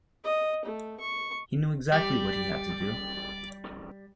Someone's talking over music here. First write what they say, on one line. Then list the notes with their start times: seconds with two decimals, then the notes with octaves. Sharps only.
He knew exactly what he had to do.
0.24 D#5
0.65 A3
1.00 C#6
1.92 G3 G4 D5